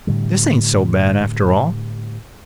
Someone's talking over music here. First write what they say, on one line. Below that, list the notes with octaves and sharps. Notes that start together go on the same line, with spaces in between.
This ain't so bad, after all.
A2 D3 G3